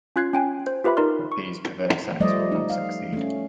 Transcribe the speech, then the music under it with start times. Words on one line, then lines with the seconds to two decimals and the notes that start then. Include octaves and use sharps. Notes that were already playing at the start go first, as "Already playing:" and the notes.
But these perverse acts will not succeed.
0.16 C#4 F4 F#6 G#6 C7
0.34 C#4 G5 G#5
0.67 C5
0.84 F4 G4 B4 E5 B5
0.97 D#4 A#4 D5 C6 F6
1.32 C#6
2.20 F3 G3 A3 C5 D5 D#5
2.52 D#4
2.70 F5
3.13 A3 C#4